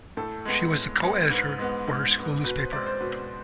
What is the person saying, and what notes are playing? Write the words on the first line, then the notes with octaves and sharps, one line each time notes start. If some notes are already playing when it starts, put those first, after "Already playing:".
She was the co-editor for her school newspaper.
A2 A4
G#3 B3
A2
G#3 B3
G#2 B4
G#3 B3
G#2
G#3 B3
B2 B4
C5
G#3 C4 D5
C5
B2 B4